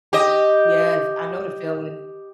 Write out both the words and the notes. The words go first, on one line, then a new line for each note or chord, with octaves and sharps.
Yes. I know the feeling.
G4 D#5